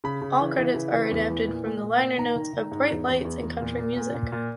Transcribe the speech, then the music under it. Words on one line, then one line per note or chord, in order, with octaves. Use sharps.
All credits are adapted from the liner notes of "Bright Lights and Country Music".
C#3 B5
C#3
E3
E3
C#3
E3
E2
E3
A#2
A#2
A#2
A#2
D#3 A#5
D#3
D#3
G#2
E2
E2
E2
E2
A#2
A#2
A#2
A#2
A#2